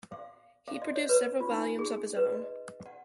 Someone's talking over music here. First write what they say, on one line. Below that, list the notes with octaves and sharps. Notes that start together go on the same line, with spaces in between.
He produced several volumes of his own.
F5
F5
D#5
C#5
B4
F4
D#4
G#4
B4
D#5
F#5